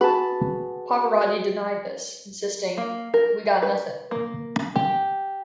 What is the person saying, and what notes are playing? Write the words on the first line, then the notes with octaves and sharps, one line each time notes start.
Pavarotti denied this, insisting: We got nothing.
F#4 G#4 B4 A5
A#3
A#4
B4
A#3
G4